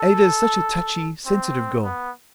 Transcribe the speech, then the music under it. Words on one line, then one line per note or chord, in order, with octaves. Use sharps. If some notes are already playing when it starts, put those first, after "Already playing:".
Ada is such a touchy, sensitive girl.
Already playing: A4
C4
B3